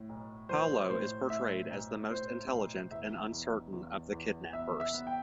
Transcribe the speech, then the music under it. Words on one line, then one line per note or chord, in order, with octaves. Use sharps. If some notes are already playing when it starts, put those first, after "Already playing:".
Paulo is portrayed as the most intelligent and uncertain of the kidnappers.
Already playing: A2
B1
F3 C5
A2 C5
A2 E5
B1
A2 C5
B1
E2 E5
E2
E2
E2
B3 E5
E5
B3
G5